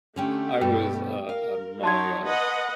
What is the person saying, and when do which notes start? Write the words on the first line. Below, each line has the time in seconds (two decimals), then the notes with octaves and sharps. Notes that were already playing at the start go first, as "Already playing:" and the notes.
I was, uh, uh, my uh,
0.16 D3 A3 C#4 G4 G5
0.61 G2 B2 G5
1.29 A#4 F5
1.83 F#3 D#4 C#5 A5 C6 G#6
2.25 B4 D#5 F#5